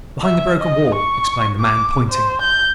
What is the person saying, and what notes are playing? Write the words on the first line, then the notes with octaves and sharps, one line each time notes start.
"Behind the broken wall," explained the man, pointing.
E5
D#5
C#6
D6
C5
G6